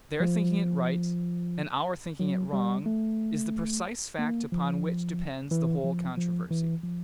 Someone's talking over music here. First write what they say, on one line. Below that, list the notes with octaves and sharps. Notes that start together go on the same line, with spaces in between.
Their thinking it right and our thinking it wrong is the precise fact upon which depends the whole controversy.
F3
F#3
G3
A3
A#3
F3
E3
F3
F3
E3
F3